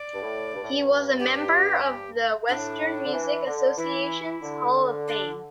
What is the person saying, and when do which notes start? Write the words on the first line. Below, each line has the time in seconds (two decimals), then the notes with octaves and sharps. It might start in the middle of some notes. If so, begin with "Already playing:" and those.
He was a member of the Western Music Association's Hall of Fame.
Already playing: D5
0.14 G2
0.22 A2
0.54 G2
0.62 A2
0.71 G2
1.19 G4
2.48 A2 D4
3.05 D3
3.13 E3
3.46 D3
3.78 E3 E4
4.43 D3
5.07 D4